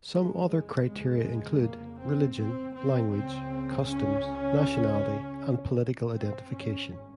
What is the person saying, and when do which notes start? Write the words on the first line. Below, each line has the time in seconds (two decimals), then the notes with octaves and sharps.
Some other criteria include: "religion, language, 'customs,' nationality, and political identification".
0.12 F1 F2 C#3 G#3
0.49 G#3
0.87 G#3
1.63 A#3
2.00 C4
2.38 C4
2.75 C4
3.13 C#2 C#3 C4
3.88 C#4
6.14 G#1 G2 C4
6.52 C#4